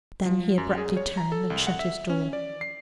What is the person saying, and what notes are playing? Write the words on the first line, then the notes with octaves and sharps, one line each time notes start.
Then he abruptly turned and shut his door.
F3
F#2
G#4
C#5
A#5
A4
C2
F#5
E5
C#4
D5
C7